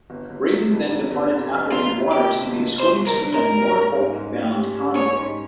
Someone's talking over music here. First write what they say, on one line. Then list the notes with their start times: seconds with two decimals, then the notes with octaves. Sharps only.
"Raven" then departed African waters in the escorting screen of a Norfolk-bound convoy.
0.10 G1
0.30 G1
0.50 C3
0.71 F2
0.91 C3
1.11 G1
1.32 C3
1.51 F2
1.72 G1 F4
1.92 G1
2.12 C3 G4
2.32 C3
2.52 G1
2.73 C3
2.80 C5
2.93 F2
3.07 A#4
3.13 G1
3.33 G#2 A#4
3.53 G3
3.75 C#4
3.94 G#2
4.14 G#2
4.35 C#4
4.54 G4
4.76 G3
4.96 C#4 C#5
5.16 G#2